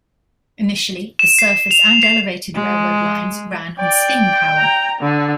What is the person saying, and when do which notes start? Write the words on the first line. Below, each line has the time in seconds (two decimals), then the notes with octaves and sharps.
Initially the surface and elevated railroad lines ran on steam power.
1.19 E7
1.39 C7
1.71 F7
2.03 C7
2.55 G#3
3.79 D5 G5
4.58 A#5
5.01 D3